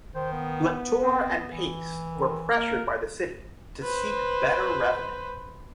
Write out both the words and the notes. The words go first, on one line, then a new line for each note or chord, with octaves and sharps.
Lectoure and Pace were pressured by the city to seek better revenue.
D#3 C5
B3
C4
E3
D#3
A#3 A#4
B4 C5